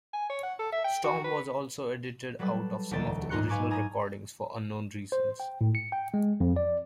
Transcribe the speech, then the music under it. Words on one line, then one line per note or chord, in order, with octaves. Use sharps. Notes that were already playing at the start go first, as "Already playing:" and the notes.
Storm was also edited out of some of the original recordings for unknown reasons.
G#5
C#5
F#5
A4
E5
G5
F#4
B4
F#3 G3 A4 B4
E1 D2 F#3 E5 G5 A6
G#2 D#4 A#5 C6 F#6 C#7
G#4 B4 F5 G#5 C#6 D6
G#5 A#5 D#6
C5
G5
A2
C#7
G5
G#3
F2
D5